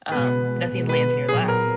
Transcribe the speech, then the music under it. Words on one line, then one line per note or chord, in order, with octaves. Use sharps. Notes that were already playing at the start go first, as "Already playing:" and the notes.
Um, nothing lands in your lap.
B2 G#3 B3 B4
B2 G#3 B3
B4
A#2 F#3 B3 G#4
A#4